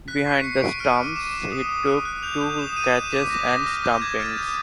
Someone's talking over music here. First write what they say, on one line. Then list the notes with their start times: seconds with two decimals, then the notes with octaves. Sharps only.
Behind the stumps he took two catches and stumpings.
0.08 F#6 B6
0.26 C#6 C7
0.44 C#6 C#7
0.62 C#6 D7
0.79 F6 D#7
0.98 D6
1.16 D6 E7
1.33 D6
1.52 D#6
1.69 D#6
1.87 F#6
2.05 F#6
2.23 G6 F7
2.41 G6 F7
2.58 D#6 E7
2.76 G6 D#7
2.94 G6 E7
3.12 D6 B6
3.30 D6 A#6
3.48 D6 A#6
3.65 F6 A#6
3.83 D6 G6
3.94 G6
4.01 D6 G#6
4.20 F6 A6
4.38 D#6 G6